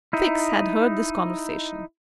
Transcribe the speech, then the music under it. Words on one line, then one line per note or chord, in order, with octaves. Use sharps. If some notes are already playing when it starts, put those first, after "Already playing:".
Fix had heard this conversation.
D#4 E4